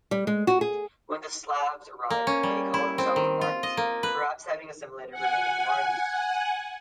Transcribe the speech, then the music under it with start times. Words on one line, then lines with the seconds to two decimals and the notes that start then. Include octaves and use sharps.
When the Slavs arrived, they called themselves the Varnes, perhaps having assimilated remaining Varni.
0.11 G3
0.27 G#3
0.47 F#4
0.61 G#4
2.10 A#3
2.27 C#4
2.43 G3
2.74 E4
2.98 C4
3.16 D#3
3.41 F4
3.63 D#5
3.77 A#3
4.03 B4
5.11 F#5 G#5